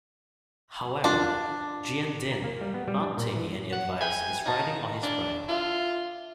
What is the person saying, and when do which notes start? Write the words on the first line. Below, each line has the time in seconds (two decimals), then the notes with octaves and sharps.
However, Gian Dinh, not taking any advice, is riding on his pride.
1.04 D4 F4 A#4 A5
2.32 A#5
2.44 A#3
2.61 G3
2.74 B3
2.88 G3
3.01 D4
3.17 A#2
3.36 E3
3.73 F#5
4.01 B4 E5 G5 G#5
4.46 F#3 D#4 F4 A5
5.03 C#3 A3 D4
5.49 D3 F4 E5